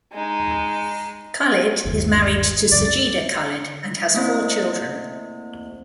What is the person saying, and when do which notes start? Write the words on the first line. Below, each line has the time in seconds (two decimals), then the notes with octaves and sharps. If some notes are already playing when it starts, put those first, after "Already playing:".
Khalid is married to Sajida Khalid and has four children.
0.13 G#3 D#4
1.85 G1 D#2
2.72 C#2 F#2 D5
4.14 A3 A#3 C4 E4 C5